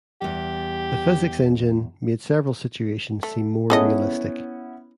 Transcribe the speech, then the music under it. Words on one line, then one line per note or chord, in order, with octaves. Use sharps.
The physics engine made several situations seem more realistic.
E2 G3 G4
A3
B3 C#4 E4 G#4 A4 D#5